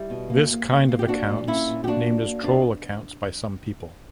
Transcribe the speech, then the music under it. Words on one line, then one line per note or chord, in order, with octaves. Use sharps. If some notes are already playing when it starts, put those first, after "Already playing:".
This kind of accounts named as "troll accounts" by some people.
Already playing: G3 E4 G4
B2
A#3
A#3
A#3
A#3
G4
A#3 D4 F#4
A#2
A#3 C#4 E4
A#2
G4
A#3 D4 F#4
A#3
A#3
B2 D4